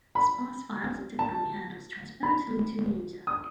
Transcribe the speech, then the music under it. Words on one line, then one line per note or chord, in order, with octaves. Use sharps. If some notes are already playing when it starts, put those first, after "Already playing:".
Sparse files are typically handled transparently to the user.
B5
A5
B5
D#6